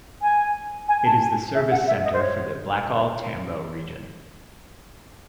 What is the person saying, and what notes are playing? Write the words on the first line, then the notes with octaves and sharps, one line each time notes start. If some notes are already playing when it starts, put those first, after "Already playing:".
It is the service centre for the Blackall-Tambo Region.
G#5
G#5
A5
G#5
E5
F#5
E5
D#5
C5
C#5